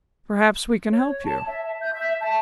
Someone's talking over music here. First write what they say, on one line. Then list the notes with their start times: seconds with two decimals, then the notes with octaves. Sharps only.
Perhaps we can help you.'
0.92 C#5
1.26 A5
1.48 E5
1.80 G6
1.93 E5
2.20 A5